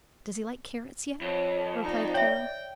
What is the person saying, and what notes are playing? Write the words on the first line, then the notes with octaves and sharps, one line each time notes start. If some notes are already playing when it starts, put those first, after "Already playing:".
"Does he like carrots yet?" replied Carol.
F2 C#5
D#4 D5
C#5 E5 G5